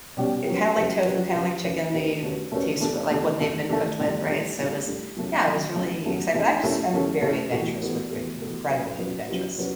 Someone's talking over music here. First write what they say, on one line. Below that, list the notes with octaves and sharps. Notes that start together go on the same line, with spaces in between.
it kinda like tofu, kinda like chicken, they taste w like what they've been cooked with, right? So, it was Yeah, I was really excited. But I'm s I'm very adventurous with food, incredibly adventurous.
B2 G3 C#4 G4
F#3 C#4 G4 B4
F#3 C#4 G4 B4
F#3 C#4 G4 B4
F#3 C#4 G4 B4
A3 C#4 F#4 B4
A3 C#4 F#4 B4
A3 C#4 F#4 B4
A3 C#4 F#4 B4
A3 D4 A4
A3 D4 A4
A3 D4 A4
A3 D4 A4
A2 G3 D4 A4
A2 G3 D4 A4
A2 G3 D4 A4
A2 G3 D4 A4
F#3 A3 C#4
F#3 A3 C#4
F#3 A3 C#4
F#3 A3 C#4
A3 C#4 E4 A4
A3 C#4 E4 A4
A3 C#4 E4 A4
A3 C#4 E4 A4
A2 E3 B3 F#4 A4
A2 E3 B3 F#4 A4
A2 E3 B3 F#4 A4
A2 E3 B3 F#4 A4
F#3 C#4 F#4 B4
F#3 C#4 F#4 B4
F#3 C#4 F#4 B4
F#3 C#4 F#4 B4